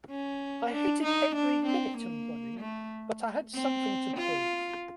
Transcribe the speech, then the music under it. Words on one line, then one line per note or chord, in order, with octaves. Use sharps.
I hated every minute of running, but I had something to prove.
C#4
D4
D#4
D4
C4
A#3
A3
C4
F4